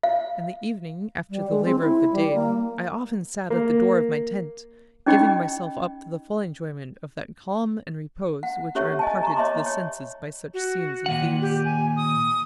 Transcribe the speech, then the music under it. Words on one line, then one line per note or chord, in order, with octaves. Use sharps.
In the evening, after the labour of the day, I often sat at the door of my tent, giving myself up to the full enjoyment of that calm and repose which are imparted to the senses by such scenes as these....
F5
G3
G#3
C4
E4
G3
A#3
A#3
C#4 D#4 G4 D#5 G5 B5
F#5
C#4 G4 A4 C#5 E5 C#6
D#5 G#5 A5
A#5 C#6
C#5 D#5 E5 A5 C6 D6
C#5
F#4
A#2 D#3 F#5
G4
G#5
D#6